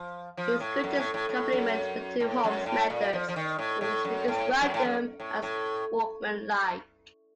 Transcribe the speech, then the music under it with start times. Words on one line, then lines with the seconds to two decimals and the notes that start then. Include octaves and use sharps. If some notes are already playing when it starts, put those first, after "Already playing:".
His greatest compliment to Holmes' methods was to describe them as "workmanlike".
Already playing: F3
0.37 F3
0.60 A2
0.84 F#2
0.98 A2
1.14 A2
1.29 A2
1.53 F#2
2.20 A2
2.44 F#2
2.66 A2
2.90 A#2
3.13 F3
3.28 F3
3.36 D#3
3.59 A2
3.81 A2
4.05 F#2
4.28 A2
4.62 F#2
4.74 A2
4.85 F#2
5.20 A2
5.42 A2